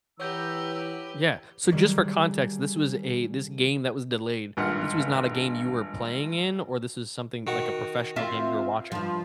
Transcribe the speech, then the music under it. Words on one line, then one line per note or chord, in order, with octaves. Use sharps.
Yeah. So, just for context, this was a this game that was delayed, this was not a game you were playing in? Or this is something like a professional game you're watching?
E3 G4 B4 C#5 F#5 A#5 E6 G6
D3 D#3 F#3 G3 G#4
G#1 G2 A#2 F4 F#5 F6
D#3 F#4
C4 F4 E5
G2 F3